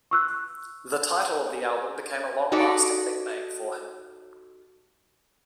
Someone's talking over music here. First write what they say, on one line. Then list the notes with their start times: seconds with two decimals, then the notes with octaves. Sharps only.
The title of the album became a long lasting nickname for him.
0.11 C#6 E6 F#6
2.52 D#4 F#4 G4 A4 D5